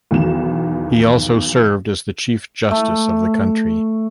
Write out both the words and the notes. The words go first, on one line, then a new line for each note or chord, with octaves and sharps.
He also served as the Chief Justice of the country.
B1 E2 D#3 E7
A3